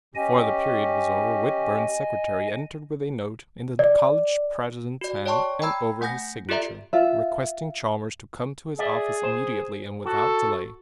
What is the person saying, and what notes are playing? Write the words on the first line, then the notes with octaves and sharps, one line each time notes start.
Before the period was over, Whitburn's secretary entered with a note in the college president's hand and over his signature; requesting Chalmers to come to his office immediately and without delay.
C#4 G4 D#5 G#5
D5
F#4 D5
C#5 D5 G5 A5 C6 C#6
G5 A#5 B5 E6 G#6
A3 F#5 G#5 G6 A#6
F4 G4 A4 D5 E5 A#5
F4 E5
G#4 D5 E5
C5
F#4 A4